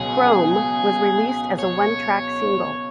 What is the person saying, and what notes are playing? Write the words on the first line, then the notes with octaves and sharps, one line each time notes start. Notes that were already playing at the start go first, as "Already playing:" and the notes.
"Chrome" was released as a one-track single.
Already playing: C#2 B2 F#3 G#4
C#5